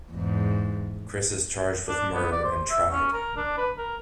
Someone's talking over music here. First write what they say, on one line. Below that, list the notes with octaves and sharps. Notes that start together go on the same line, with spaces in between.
Chris is charged with murder and tried.
E2 G#2
D4
B3
D5
C5
E5
C#4
A#4
D4
B4
A#4